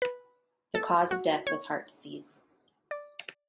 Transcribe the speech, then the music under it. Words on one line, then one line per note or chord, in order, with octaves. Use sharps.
The cause of death was heart disease.
B4
A4
F#4
C#5
D5